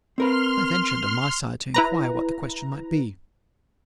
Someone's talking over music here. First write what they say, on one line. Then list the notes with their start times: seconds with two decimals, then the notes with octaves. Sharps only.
I ventured, on my side, to inquire what the question might be.
0.18 C4 A#4 B4 C6 F6
1.74 E4 B4 A#5